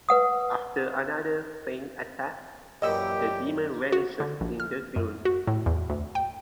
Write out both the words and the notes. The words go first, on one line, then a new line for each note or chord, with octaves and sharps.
After another feigned attack, the demon vanishes in the gloom.
B4 F#5 D#6
F#2 A#2 E3 G4 D#5 E6
F#4
D3
A#1
F6
F#2
F#4
A2
E2
D2
G5